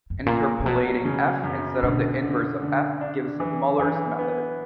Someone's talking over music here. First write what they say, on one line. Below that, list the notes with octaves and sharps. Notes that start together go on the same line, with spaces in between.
Interpolating "f" instead of the inverse of "f" gives Muller's method.
F#2
G2
A#2 A#3
A#2
B2 F#3
C#3
F#2
B2 D3
D3
D3
D4
E3 F#3
E3
B3